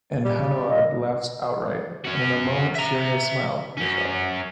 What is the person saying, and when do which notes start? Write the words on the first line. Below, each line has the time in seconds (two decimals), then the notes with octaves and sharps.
And Hanaud laughed outright, and in a moment Celia smiled herself.
0.25 G3
0.68 D#5
2.05 C#4 F#4
2.75 E5 A#5
3.77 F#2 C#4